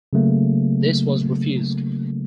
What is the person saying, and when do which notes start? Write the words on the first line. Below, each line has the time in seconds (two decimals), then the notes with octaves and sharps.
This was refused.
0.13 C#3 F#3 A3 A#3